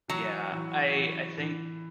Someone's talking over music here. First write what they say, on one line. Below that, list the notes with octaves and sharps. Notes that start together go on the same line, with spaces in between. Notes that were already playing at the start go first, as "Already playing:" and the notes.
Yeah, I I think
E3 F#3
E3
E3
E3